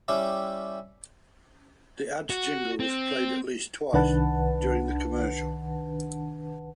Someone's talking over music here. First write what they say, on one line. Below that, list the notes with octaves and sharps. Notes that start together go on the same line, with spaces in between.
The ads' jingle was played at least twice during the commercial.
G3 C#4 E4 G4
F#4
C4
C2 D#3 D4 B4 F#5 A5